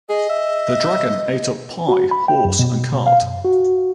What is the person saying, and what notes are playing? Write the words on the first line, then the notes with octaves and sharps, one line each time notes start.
The dragon ate up pie, horse and cart.
G#4 D#5
E5
F#4
B5
G5
F#2
B2
B2
F5
F#2
F#4